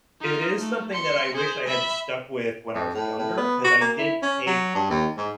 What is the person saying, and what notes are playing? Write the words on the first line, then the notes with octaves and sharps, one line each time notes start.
it is something that I wish I had stuck with when I was younger, 'cause I did take,
D#4 F4
A3
C6 C#7
G#4 C5
E5 B5
F2
A2
A2
B3
F#4
A#3
E4
C#4
F#3
G2
D#2
G#2